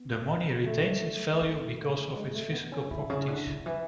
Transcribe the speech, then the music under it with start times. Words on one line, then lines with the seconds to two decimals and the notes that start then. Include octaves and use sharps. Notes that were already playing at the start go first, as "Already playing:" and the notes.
The money retains its value because of its physical properties.
Already playing: B3
0.66 A3
1.41 F#2
2.16 G#3
2.35 A3
2.53 B3
2.72 C#4
2.91 A2 E4
3.10 C#3
3.28 D3
3.47 D3
3.66 E3